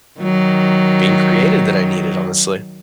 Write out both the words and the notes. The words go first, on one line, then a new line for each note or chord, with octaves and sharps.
being created, that I needed, honestly.
D#3 F#3